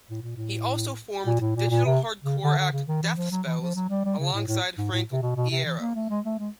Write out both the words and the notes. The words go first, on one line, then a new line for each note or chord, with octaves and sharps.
He also formed digital hardcore act, Death Spells, alongside Frank Iero.
A2
A#2
A2
A#2
A2
A#2
A#2
C3
C#3
D3
D3
C#3
D#3
E3
F3
F#3
E3
F3
F#3
G3
G3
C#3
A2
A2
G#2
A2
C3
B2
B2
C3
E3
A#3
A3
G#3
A3
G#3